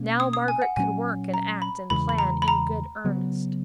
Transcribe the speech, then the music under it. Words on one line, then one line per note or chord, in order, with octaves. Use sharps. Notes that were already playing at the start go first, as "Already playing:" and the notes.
Now Margaret could work, and act, and plan in good earnest.
Already playing: B2 A#3 C#4
D#6
D#6
G#5
F#5
A#2 F#3 C#4 G#5
A#5
B5
E2 C#3 E3 G#3 B5
B5
A#5
B5
A#5
C#3 F#3 B3